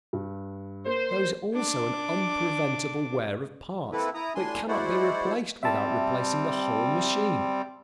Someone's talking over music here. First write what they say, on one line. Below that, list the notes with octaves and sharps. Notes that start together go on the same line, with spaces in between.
There is also an unpreventable wear of parts that cannot be replaced without replacing the whole machine.
G2
A#3 C5
D4 D6
A#3 C4 E4 A4 B4
E4 A#5 D#6
A2 D4 G#5 C6
G#3 E4 F#4 C5 D5 F#5
G3 C4 E5 A5